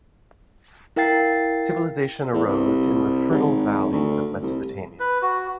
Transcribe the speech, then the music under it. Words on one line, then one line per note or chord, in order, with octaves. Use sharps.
Civilization arose in the fertile valleys of Mesopotamia.
E4 A#4 F5 G5 A6 C7
E2
C2
G#1
D2
C2
B4
F#4